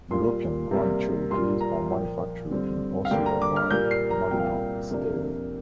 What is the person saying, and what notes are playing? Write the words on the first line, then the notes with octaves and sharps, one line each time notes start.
European Grand Cherokees are manufactured in Austria by Magna Steyr.
A#2 G3 A#3 F4 C6
C3 G3 A#3
A#2 G3 A#3 F4 C6
A#5
A#2 F3 A#3 G5
G2 D3 G3 C4
F5
G2 D3 G3 A#3 G5
A#5
D6
F6
A#2 G3 A#3 G6
C7
A#5
C2 A#2 A#3 G5
F5
G5
F2 C3 A#3 D4